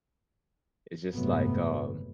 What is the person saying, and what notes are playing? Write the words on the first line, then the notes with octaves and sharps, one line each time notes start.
is just, like, um,
F#1 G#2 C3 F#3 A3 B3